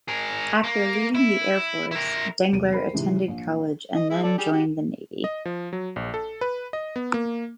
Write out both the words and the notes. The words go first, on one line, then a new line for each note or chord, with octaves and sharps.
After leaving the Air Force, Dengler attended college and then joined the Navy.
G#4 A#4
A#3
E4
E4 A#4
E1 C3 D7 D#7
A#4 C5 B5 C7
C3 D#3 E3 G#3
A#1
D#5
G#3 E4
A4 D5
G3 G4 G#4
F#4 G4
D#5
F3
F#3
A#1
A4
B4
D#5
B3
A#3